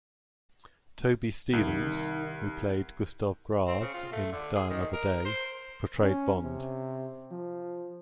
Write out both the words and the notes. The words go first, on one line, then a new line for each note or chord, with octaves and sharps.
Toby Stephens, who played Gustav Graves in "Die Another Day", portrayed Bond.
C2 D#3
C4
C#3
F4
A3
D3
G#4
D#3
A#4
C5
C#4
C3
F3